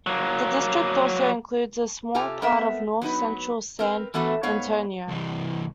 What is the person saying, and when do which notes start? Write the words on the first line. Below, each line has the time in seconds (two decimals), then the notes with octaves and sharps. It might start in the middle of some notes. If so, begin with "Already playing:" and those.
The district also includes a small part of north central San Antonio.
0.07 F#3 A#3
2.15 C3 F4 G4 A4 G#5 A#5
2.42 A3 B3 C4 A#4 E5
3.02 F#3 B3 D#4 B4
3.79 C4 A#4 B4
4.14 E3 A3 B3 F#4 A4
4.43 G#2 B3 C#5 F5
5.08 C2 E3